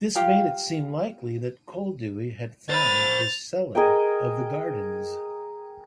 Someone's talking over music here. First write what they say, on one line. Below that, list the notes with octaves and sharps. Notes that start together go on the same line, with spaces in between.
This made it seem likely that Koldewey had found the cellar of the gardens.
F4 G4 F5 G5
C5 B5 A6 F7
G#4 A#4 D#5 G5